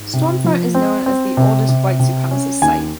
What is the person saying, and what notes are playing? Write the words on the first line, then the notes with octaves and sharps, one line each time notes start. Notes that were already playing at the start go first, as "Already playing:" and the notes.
Stormfront is known as the oldest white supremacist site.
Already playing: G#2
C3
F3
C4
C4
C3
C3
C3
C#4
D#2 G#5